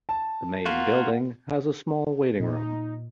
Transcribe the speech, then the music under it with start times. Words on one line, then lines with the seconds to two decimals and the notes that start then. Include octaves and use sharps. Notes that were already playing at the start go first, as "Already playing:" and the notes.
The main building has a small waiting room.
0.09 A5
0.66 A#3 F4 F#4 F5 F#5
2.40 A#2 D#4